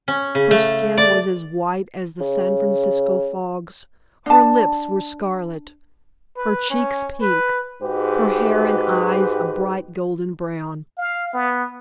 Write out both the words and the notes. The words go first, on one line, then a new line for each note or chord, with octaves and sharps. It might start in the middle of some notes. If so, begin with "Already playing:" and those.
Her skin was as white as the San Francisco fogs, her lips were scarlet, her cheeks pink, her hair and eyes a bright golden brown.
C#4
C#3
A3
D5
C#3
D4 A5
B4
C#4
B4
G#2 G#3 F#4 G4 B4
F5
B3